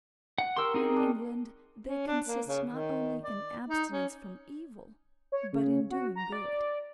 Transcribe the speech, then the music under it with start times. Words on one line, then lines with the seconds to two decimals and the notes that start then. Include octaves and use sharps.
In England they consist not only in abstinence from evil, but in doing good.
0.38 F#5
0.57 G4 A#4 C6 C#6 E6
0.74 C4 D#4 G#4
0.96 D4
1.85 C#4
2.06 D4
2.27 A#3
2.47 C#3
2.68 D#3
3.23 D5
3.68 D#4
3.91 C#4
5.32 C#5
5.53 C#3
5.90 F#4
6.16 A#5
6.32 D5